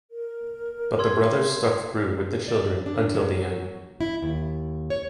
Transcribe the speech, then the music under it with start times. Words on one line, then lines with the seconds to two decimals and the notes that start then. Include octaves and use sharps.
But the brothers stuck through with the children until the end.
0.11 A#4
0.99 C6 E6 G#6
2.48 D5
2.86 D4
3.14 F#3
4.01 E4
4.22 D#2
4.90 C#5